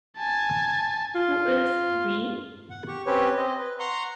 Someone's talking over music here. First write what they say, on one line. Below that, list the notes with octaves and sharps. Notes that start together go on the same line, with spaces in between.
Who is "we"?
G#5 A5
F4
F#5
G4 C#6
C4 C#4 G4 B4 C#5
C4 C5 D#5
B4
F#5 A#5 C6 C#6